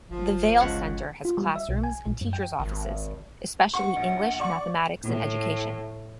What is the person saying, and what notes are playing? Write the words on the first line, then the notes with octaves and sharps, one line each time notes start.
The Vail Center has classrooms, and teachers' offices, especially English, mathematics, and education.
G1 F3
C#2 C#5 F#5
F4
G3
E5
B1
G#5
A#1
F#2
G5
G#1
F#5 C#6
A#1
D5 C#6
A2